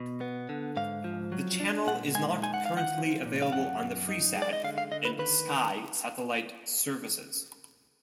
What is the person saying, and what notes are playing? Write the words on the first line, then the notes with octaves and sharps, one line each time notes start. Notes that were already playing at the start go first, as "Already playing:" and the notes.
The channel is not currently available on the Freesat and Sky satellite services.
Already playing: B2
B3
D3
G#2 F5
F3
F#3
D4
A#2 F#5
G#3 G#5
D#4 G#5
F#5
D#3 F5
F#5
F3
A#2
F5
F#2 F#5
F#2
D#4
G#3
D5
D#5
D3 F5
F5
D3 D#5
B4
D#3 B4